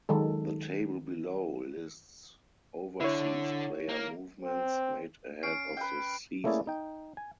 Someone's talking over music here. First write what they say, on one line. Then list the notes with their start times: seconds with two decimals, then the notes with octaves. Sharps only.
The table below lists overseas player movements made ahead of the season.
0.09 D#3 F#3 G#3 A4
3.00 D3 E4 C#5
3.89 A#3
4.42 C4
5.43 C#4 C7 D7
5.77 B4 G5
6.44 A3 A#3 C#4 E4 G#4 D5
6.67 D#4 G5
7.17 G#5